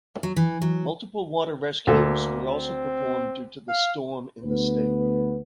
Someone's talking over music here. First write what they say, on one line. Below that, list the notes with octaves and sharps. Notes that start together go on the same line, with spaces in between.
Multiple water rescues were also performed due to the storm in the state.
F#3
E3
F#3
D2 A#3 A4
C4
F5
D2 B3 B4